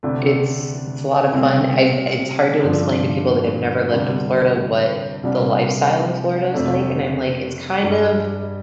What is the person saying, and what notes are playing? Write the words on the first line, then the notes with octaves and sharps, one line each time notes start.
It's it's a lot of fun. I've it's hard to explain to people that have never lived in Florida what the lifestyle in Florida is like, and I'm like, "It's kind of"
D2 C3 A3 D4
C2 C3 A3 C4
G2 D3 F3 D4
D2 C3 G3 D4
C2 C3 G3 D4
F2 C3 A3 D4
G2 G3 D4